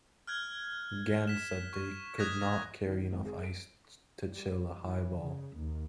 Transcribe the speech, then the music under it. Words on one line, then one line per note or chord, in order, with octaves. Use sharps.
Gann said they "could not carry enough ice to chill a highball".
F6 F#6 G#6
B6 E7
C#6
D#6 F#6 G#6 A#6 B6
D#3
G#1
G#4
D7
G3
E3
C#3
D#2